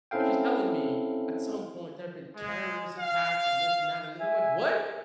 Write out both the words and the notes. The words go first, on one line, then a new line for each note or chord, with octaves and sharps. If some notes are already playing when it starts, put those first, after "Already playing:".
but she's telling me at some point, there have been terrorist attacks and this and that and this. I'm like, "What?
C4 C#4 E4 A4 F5 G5
G#3
F5
E5 G#5